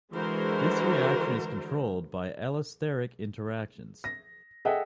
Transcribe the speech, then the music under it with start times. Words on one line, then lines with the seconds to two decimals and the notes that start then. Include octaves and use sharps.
This reaction is controlled by allosteric interactions.
0.11 D3 E3 G#3 F#4 A#4 C5
4.04 A#6
4.65 G#4 A4 D#5 E5 F#5 G5